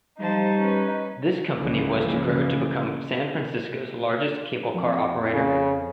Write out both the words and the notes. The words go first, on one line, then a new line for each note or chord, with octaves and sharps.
This company was to grow to become San Francisco's largest cable car operator.
F3 G3 D#4 C5 A5
C#4 B4
G1 C#2 C#3 E3 F3 A#3
F2
C#3